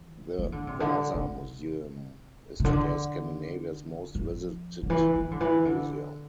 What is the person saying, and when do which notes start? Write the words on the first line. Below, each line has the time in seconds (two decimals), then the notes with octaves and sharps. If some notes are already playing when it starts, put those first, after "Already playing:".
The Vasa Museum is today Scandinavia's most visited museum.
Already playing: E3
0.39 E3
0.52 D3
0.67 C3
0.80 D3
1.14 C3
2.60 C3
2.64 D3
4.15 F3
4.83 D3
4.90 E3
5.15 F3
5.31 D3
5.40 E3
5.65 D3